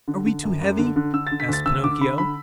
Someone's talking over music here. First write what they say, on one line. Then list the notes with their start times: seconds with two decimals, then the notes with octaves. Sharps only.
"Are we too heavy?" asked Pinocchio.
0.08 D3
0.26 D3
0.44 F#2
0.61 F#2
0.79 D3
0.96 D3
1.14 D3 E6
1.27 A6
1.32 D3
1.40 B6
1.48 D2 A6
1.66 D2 E6
1.84 D3 D6
2.01 D3 B5
2.18 D3 B5